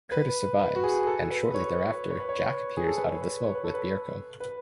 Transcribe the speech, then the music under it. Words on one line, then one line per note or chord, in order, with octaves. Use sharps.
Curtis survives and shortly thereafter Jack appears out of the smoke with Bierko.
B4
B4
F#4
G#4
A4
B4
C#5
B4
C#5
B4
C#5
G#4
A4
B4
C#5
B4
C#5
B4
A4
B4
B4